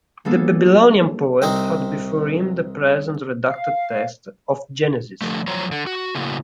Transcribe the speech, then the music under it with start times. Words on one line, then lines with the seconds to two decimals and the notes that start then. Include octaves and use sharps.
The Babylonian poet had before him the present redacted text of Genesis.
0.25 G3 A#3 B3 D4 G#4 A4
1.42 C2 C4 D#4
3.47 F5
5.21 D3 F3 A3
5.48 E2 F3 F#3 C5 C#5 A#5
5.72 D3
5.87 F#4
6.15 A2 C#3 A#3 E4 F#4